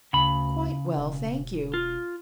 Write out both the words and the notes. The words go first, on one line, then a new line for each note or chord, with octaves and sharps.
"Quite well, thank you."
D2 C#3 B5
E1
F4